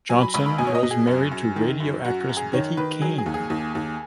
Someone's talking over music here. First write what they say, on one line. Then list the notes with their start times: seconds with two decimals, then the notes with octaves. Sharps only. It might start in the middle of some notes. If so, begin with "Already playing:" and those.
Johnson was married to radio actress Betty Caine.
0.09 F#3 G#5
0.21 B5
0.34 C#2 B5
0.46 B5
0.58 B2 G#5
0.67 C#5
0.75 D#5
0.83 B2
0.91 G#4
1.07 F#2
1.31 F#2
1.56 D#3
1.80 F#2
2.04 F#2 F#4
2.20 F#4
2.29 F#2
2.37 G#4
2.53 D#3 C#5
2.77 D#3 B4
3.02 F#3 G#4
3.18 G#4
3.26 D#2
3.34 G#4
3.50 D#2
3.75 D#2